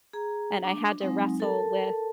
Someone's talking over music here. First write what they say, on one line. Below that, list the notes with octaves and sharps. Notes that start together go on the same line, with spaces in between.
and I had to wrestle with
G#4 A#5
D4
F#3 G#3 C4 D#4
A4 A#4 A5